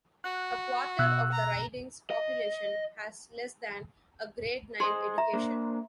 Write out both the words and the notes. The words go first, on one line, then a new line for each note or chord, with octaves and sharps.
A quarter of the riding's population has less than a Grade Nine education.
F#4 F#6
B2 E6 F#6
A#5
D#5
G#4 C5 D#5 C6
E5 A#5
A#3 D4 C5